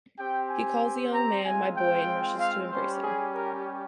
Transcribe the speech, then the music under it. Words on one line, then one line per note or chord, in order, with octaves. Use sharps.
He calls the young man "my boy" and rushes to embrace him.
C4 G4 G5
G#5
A#5
G#3 C4 F4 G#5
G5
F5
G3 C#4 G4 C5
G#4
A#4